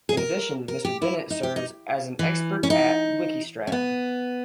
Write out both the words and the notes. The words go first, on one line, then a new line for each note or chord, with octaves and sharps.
In addition, Mr. Bennett serves as an Expert at Wikistrat.
G#4
A#4
A#4
G4
E4
D#4
G4
D#4
E3
C#4
D#4
C#4
B3